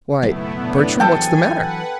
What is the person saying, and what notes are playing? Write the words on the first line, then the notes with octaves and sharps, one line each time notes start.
"Why, Bertram, what's the matter?"
F#1 B1 A3 B3 E4
A2 B3 D4
E3 F#3 A4 G5 G#5
B4 F#5